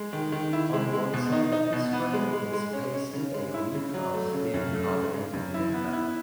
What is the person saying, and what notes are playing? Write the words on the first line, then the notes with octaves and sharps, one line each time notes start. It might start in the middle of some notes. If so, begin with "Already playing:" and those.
On one side of this frame is pasted a leaf of thin carbonated paper.
Already playing: G#3
D#3
D#3
E4
G#3
G#3
B2
D#4
D#4
B2
B3
G#3
G#3
G#3
C#4
C#4
C#3
G#3
E4
C#3
F#3
A3
C#3
F#2
A3
C#3
C#3
F#2
E4
B3
E4